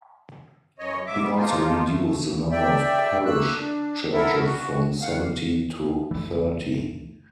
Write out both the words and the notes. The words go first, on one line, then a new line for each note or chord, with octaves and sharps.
He also reduced the number of parish churches from seventy to thirty.
F#2 C#5 D#5
G#2 E5 D6
G3 B3
F3 A#3 D#4 F4
A3
D5 E5 G5
A3 A#3 E6 F#6
D4
B3 E4 A4 A#4 E5
F#4
D#3 F5 F#5
F#1 C#2 E3 A3